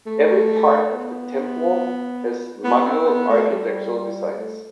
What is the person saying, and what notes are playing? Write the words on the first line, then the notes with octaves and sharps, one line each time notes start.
Every part of the temple has Mughal architectural designs.
A3
B3
B3
C4
B3
A3
G3
A3